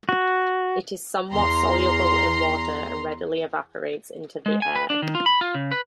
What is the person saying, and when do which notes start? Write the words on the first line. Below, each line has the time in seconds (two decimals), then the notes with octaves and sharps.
It is somewhat soluble in water and readily evaporates into the air.
0.09 F#4
1.32 E2 A#5 C6
4.46 G#3
4.62 G#5
4.75 B4
4.90 D4
5.02 D#3
5.15 F4
5.26 B5
5.41 F4
5.54 C#3
5.72 B4